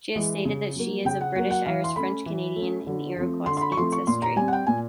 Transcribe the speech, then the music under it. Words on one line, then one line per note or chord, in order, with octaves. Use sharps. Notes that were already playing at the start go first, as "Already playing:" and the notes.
She has stated that she is of British, Irish, French Canadian, and Iroquois ancestry.
E3 G#3
C#3
F#3 A#3
C#3 G5
F#5
F#3 A#3 F#5
F#5
E3 F5
C6
A3 C#4 B5
E3
A3 C#4
D3
F3 A3 C4
D3 C6
C6
B5
C#6
F3 A3 C4 C6
C#6
A#2 C6
A#5
G3 C4 G#5
F#5
G5
A#2 G#5